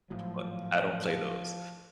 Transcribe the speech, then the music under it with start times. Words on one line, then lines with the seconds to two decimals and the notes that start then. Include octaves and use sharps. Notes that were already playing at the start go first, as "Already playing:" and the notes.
but I don't play those,
0.10 G#1 A2 F3 F#3